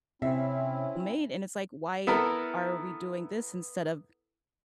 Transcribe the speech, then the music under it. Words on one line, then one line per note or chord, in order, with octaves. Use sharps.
made, and it's like, "Why are we doing this instead of
C3 C4 C#4 E4 E5
B3 E4 A4 A#4